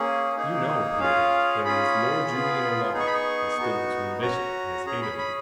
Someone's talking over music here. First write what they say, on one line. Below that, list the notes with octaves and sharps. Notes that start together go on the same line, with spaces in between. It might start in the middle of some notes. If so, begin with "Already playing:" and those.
You know, Peter, that it is Lord Julian alone has stood between Bishop and his hate of you.
Already playing: A#3 C#4 G#4
A#3 D#4 G#4
C#4 F4 G#4 F5
C#4 F4 G#4 B5
B3 F4 G#4
B3 D#4 G#4
C#6
B5
C#6
B3 D#4 F#4
C#4 F#4 A#5
C#4 G#4 A#5
B5
B5